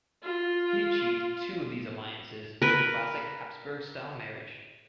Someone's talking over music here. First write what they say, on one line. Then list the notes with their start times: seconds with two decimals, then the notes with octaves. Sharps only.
He achieved two of these alliances through the classic Habsburg style - marriage.
0.23 F4
2.62 A#4 B4